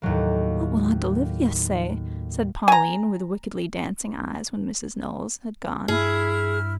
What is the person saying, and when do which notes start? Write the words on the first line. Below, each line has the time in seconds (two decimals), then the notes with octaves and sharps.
"What will Aunt Olivia say!" said Pauline with wickedly dancing eyes when Mrs. Knowles had gone.
0.02 D#2 A2 F#3 A#3
2.68 G#5 A#5
5.88 G2 E4 G#4 F6